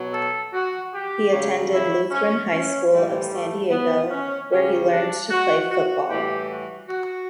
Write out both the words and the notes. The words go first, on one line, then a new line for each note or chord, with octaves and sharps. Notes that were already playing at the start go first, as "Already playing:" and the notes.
He attended Lutheran High School of San Diego where he learned to play football.
Already playing: B2 F#3
A4
F#4
G4
C#3 F#3
E4
C#4
C#4
A2 E3 G3
A3
B3
C#4
C#3 G3 C#4
D4
F#4
F#4
A2 E3 G3 G4
F#4
F#4